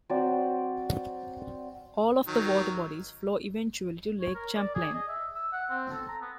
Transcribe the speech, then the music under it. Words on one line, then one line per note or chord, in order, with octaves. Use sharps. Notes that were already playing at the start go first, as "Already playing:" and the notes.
All of the water bodies flow eventually to Lake Champlain.
F#3 C4 D5
D#3 F#3
C#5
A#4
D5
G#4
D#5
E5
E6
F#5
C4
A4
A#5
B3